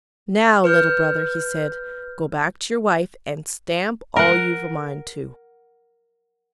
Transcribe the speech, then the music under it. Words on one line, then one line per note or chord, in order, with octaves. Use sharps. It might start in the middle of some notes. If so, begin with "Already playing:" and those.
'Now, little brother,' he said, 'go back to your wife and stamp all you've a mind to.'
B4 F6 G6
A#4 F#5